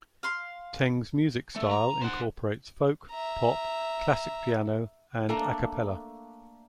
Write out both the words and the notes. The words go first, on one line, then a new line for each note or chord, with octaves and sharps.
Teng's musical style incorporates folk, pop, classical piano, and "a cappella".
F5 C6
A3
A#5
C5 F#5
E5 A#5
A3 A#3 D4 A4 F5 A#5